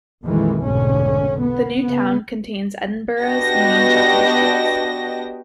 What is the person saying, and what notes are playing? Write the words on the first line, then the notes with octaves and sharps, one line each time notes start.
The New Town contains Edinburgh's main shopping streets.
A#1 F2 D#3 E3 G3 G#3
F1 B1 G#2 B2 D3 C#4
B3
C#3 B3
B3 D4 F#4 G4 D#5 A#6